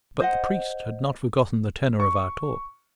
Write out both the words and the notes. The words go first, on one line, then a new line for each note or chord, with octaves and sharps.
But the priest had not forgotten the tenor of our talk.
C5 D#5 F#5
C#6